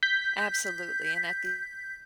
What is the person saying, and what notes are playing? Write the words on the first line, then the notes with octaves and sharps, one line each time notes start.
Absolutely, and at the
G6 B6